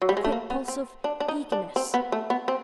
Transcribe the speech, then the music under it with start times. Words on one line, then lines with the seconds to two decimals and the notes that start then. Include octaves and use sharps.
A quick pulse of--eagerness?
0.02 F#3
0.09 G3
0.17 G#3
0.24 A3
0.32 A#3
0.50 B3
0.68 C4
1.04 D4
1.20 D4
1.28 D#4
1.52 D4
1.76 C4
1.94 B3
2.12 A3
2.30 B3
2.48 C4